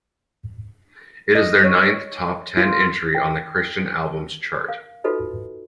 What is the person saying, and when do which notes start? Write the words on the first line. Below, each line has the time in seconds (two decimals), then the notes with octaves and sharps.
It is their ninth top ten entry on the Christian Albums chart.
1.35 D#5
1.64 C#5
2.57 F4
3.15 G5
4.68 A#4 F5
5.04 D#4 F4 F#4 A4 B4 D#5